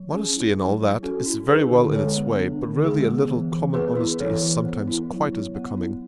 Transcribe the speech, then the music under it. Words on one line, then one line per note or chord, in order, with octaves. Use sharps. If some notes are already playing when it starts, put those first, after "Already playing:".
Modesty, and all that, is very well in its way, but really a little common honesty is sometimes quite as becoming.
Already playing: F#3
C#4 G#4
E4
F#3
F#3
C#4 F#4 A4
E4
D4 G#4 B4
D3
G#3 A4 C#5
B3
D4
D3
G#3 G#4
B3
E3
E3
B3 G#4 B4
E4
E3 A4 C#5
E3
B3
E4
F#3
F#3
B3
E4